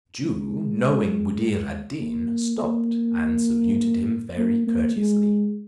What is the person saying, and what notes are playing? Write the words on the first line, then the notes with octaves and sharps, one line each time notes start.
The Jew, knowing Buddir ad Deen, stopped, and saluted him very courteously.
G#3
A#3
A#3
A#3
A#3
G#3